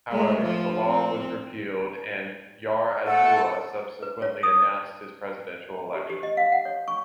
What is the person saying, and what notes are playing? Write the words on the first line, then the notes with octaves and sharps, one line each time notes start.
However, the law was repealed and Yar'Adua subsequently announced his presidential election.
G#3 A3
F3
C4
A3 A4 F#5
B4
C#5
D#6
G4
G4
D#5
F5
F#5
C#5
C#6